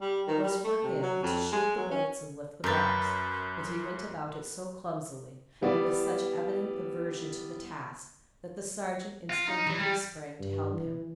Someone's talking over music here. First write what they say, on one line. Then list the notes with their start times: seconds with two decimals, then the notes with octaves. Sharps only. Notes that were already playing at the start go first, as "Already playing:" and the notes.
It was for him to shoot the bolts and lift the bars; but he went about it so clumsily and with such evident aversion to the task, that the sergeant instinctively sprang to help him.
0.01 G3
0.27 D#3
0.44 G3
0.64 A3
0.83 C3
1.02 F#3
1.23 F2
1.52 G#3
1.76 F#3
1.91 C#4
2.64 F#2 A#4 B4 G6 A6
5.61 E3 G3 B3 E4 D5
9.30 F4
9.48 D#4
9.67 E3
9.79 G3
10.40 G2
10.73 E3